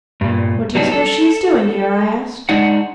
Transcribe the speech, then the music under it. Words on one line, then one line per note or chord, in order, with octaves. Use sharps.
"What do you suppose she is doing here?" I asked.
G2 A#2
F#3 G3 D4 D#4
A4
G#3 D4 D#4 F#5